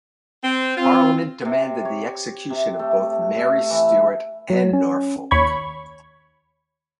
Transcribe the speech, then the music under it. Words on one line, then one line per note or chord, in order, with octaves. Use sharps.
Parliament demanded the execution of both Mary Stuart and Norfolk.
C4
C4 F4
C3
C#5
C3
A3
A3
E3
F#3
C#4
D#2 C#5 B5 C#6 G#6